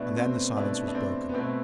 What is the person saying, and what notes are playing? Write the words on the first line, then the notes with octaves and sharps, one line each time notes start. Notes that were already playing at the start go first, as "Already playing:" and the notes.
And then the silence was broken.
Already playing: B2 A3 D4 E4 B4
C4
B2 A3 D4 E4 B4
D4
C4
B3
B2 A3 C4 E4 B4